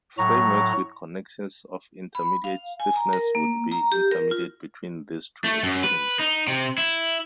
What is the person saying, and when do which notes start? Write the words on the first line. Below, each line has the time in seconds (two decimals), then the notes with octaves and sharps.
Frame works with connections of intermediate stiffness will be intermediate between these two extremes.
0.18 A2 F#3 A#5 C#6
2.15 B5
2.44 F5
2.80 G#5
2.96 A#5
3.13 A#4
3.35 A#3
3.72 A#5
3.92 G4
4.12 A#4
4.31 F4
5.44 A3
5.63 F#2
5.84 B4
6.19 D#4
6.48 C3
6.78 E4